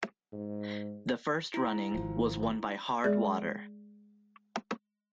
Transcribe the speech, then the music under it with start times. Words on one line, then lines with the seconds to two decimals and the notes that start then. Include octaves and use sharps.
The first running was won by Hard Water.
0.33 G#2
1.54 E4
1.95 G#1 F3
3.04 G#3 G#4 D5